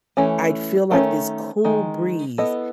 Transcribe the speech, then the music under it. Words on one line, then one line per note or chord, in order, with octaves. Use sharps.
I'd feel like this cool breeze,
E3 A3 C#4
D#3 A3 C#4
D#3 G#3
B3 E4 A4 D#5